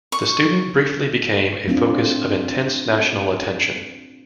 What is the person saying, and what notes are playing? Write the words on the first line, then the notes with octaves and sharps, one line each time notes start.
The student briefly became a focus of intense national attention.
C#6
A3 C4 D4 F4